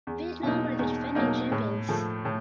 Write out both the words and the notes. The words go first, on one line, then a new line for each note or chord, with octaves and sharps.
Vietnam are the defending champions.
E2
B2 F#3 A#3 D#4
E2
B2 F#3 A#3 D#4
A2
F3 A3
A2